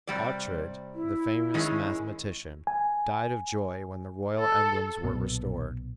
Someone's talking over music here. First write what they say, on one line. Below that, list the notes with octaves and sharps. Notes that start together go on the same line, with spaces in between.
Oughtred, the famous mathematician, died of joy when the royal emblems were restored.
C3 G3 D5
E4
D#3 G#3 C#4
G#5
A4
B1 A#2 B3